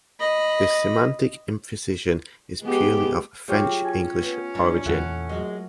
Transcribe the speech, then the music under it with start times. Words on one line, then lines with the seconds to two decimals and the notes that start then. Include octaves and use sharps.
This semantic imprecision is purely of French-English origin.
0.20 D#5 B5
2.62 G#3 B3 G4
3.48 F#3 F4 G4 G#4 C#5
3.85 C#4 G#5
4.21 B3
4.55 F#2 G3 D4
4.86 E2 A#2 E4 A4 F#5
5.29 F#2 G#3